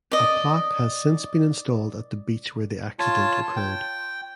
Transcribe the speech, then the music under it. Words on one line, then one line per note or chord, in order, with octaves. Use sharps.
A plaque has since been installed at the beach where the accident occurred.
D5 D#5
F4 C#5 A5
G5